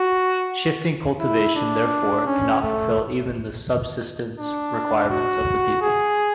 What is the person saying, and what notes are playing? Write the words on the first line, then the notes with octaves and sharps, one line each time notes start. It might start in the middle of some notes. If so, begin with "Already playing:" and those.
Shifting cultivation, therefore, cannot fulfill even the subsistence requirements of the people.
Already playing: F#4
E4
D4
C#4
A3
D4
F#4
G#4